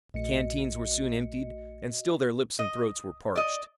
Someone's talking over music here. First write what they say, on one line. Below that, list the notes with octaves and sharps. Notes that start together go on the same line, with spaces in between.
The canteens were soon emptied, and still their lips and throats were parched.
A#1 A3 F#4 D#5 C#7
D#5
D5 D#5